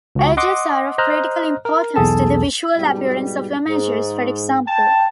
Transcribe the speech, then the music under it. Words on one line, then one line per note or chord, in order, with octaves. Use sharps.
Edges are of critical importance to the visual appearance of images, for example.
C#2 F#4
D#5 F#5 C6 D6 D#6
C5 D#5 A#5 F6 F#6
A#4
B1 E2 G#4 A4 A5
G#2 B2 G3
G#2
G5 A5